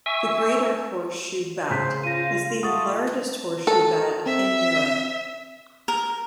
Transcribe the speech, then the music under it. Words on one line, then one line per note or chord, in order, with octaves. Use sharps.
The greater horseshoe bat is the largest horseshoe bat in Europe.
E5 G#5 C#6 E6
C#3 C5 G6 B6
F4 A#6 D#7
A3 F4 F#5 C#6 D#6 A6
A4 A#4
C4 E5
A#4